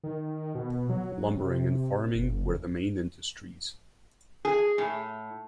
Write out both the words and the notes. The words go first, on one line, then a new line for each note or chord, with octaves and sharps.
Lumbering and farming were the main industries.
D#3
B2
F#3
C3
F#1
G#4
A2